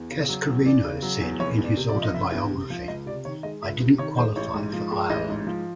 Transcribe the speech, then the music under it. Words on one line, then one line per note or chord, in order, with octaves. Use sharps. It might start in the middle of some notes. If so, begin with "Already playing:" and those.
Cascarino said in his autobiography: I didn't qualify for Ireland.
Already playing: E2
C#3
F#3
E2
E2 D5
C#3
F#3
E2
F1 C#5
E2
D5
C3
D5
F3
D#5
F1 E5
E2
C3
F3
C#2 D#5
C3 D5
D#3 C#5
G#3 D#5
C#2 E5
C3
D#3 C#5
G#3 C5
A1 C#5
G#2
F3
G#3
A1 D#5
G#2
F3